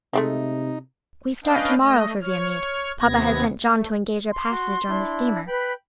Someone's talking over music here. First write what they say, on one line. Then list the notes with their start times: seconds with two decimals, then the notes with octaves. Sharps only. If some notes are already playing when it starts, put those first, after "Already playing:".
"We start to-morrow for Viamede; papa has sent John to engage our passage on the steamer."
0.13 C3 F3 G#3 A3 D#4
1.44 C#4 D4 B4 D#5 F5 G5
1.78 A3 D#5
2.21 C#5 F6
3.00 D#2 C3 B3 G#6 A#6
3.62 A3
4.31 C6
4.51 F#4
4.89 D4 E4
5.48 B4 G5 B5